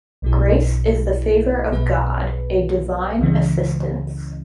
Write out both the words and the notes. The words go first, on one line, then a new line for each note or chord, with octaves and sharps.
Grace is the favor of God, a divine assistance.
B1 B2 G#3 E4 G#4
B1 B2 B3 G#4 B4
C#2 C#3 E3 G#3